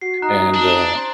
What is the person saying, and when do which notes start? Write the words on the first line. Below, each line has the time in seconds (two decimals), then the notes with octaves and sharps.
And, uh
0.01 F#4 C7
0.22 D#4 A#5 F#6
0.54 D4
0.96 C5